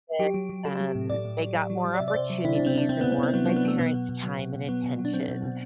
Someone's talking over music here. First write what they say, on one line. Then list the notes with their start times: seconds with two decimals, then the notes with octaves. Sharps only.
that, um, they got more opportunities and more of my parents' time and attention,
0.19 F#3 G4
0.34 F#3
0.49 F#3
0.65 F#3 A4
0.80 F#3
0.95 A2
1.10 A2 D5
1.25 A2
1.39 F#3
1.55 F#3
1.70 F#3
1.85 F#3
1.95 D5
2.00 C3 E5
2.08 D5
2.14 C3 C5
2.30 F#3
2.44 C3 E4
2.55 C3 D4
2.66 C4
2.75 C3 D4
2.89 C3 C4
3.01 B3
3.04 C3
3.12 B3
3.18 C3 C4
3.34 F#3 B3
3.45 B3
3.49 F#3
3.56 B3
3.64 F#3 A3
3.78 B2 B3
3.94 B2
4.09 B2
4.23 F#3
4.39 B2
4.54 B2
4.69 F#3 B3
4.83 B2
4.99 F#3
5.05 D4
5.13 F#3 C4
5.28 B2
5.43 B2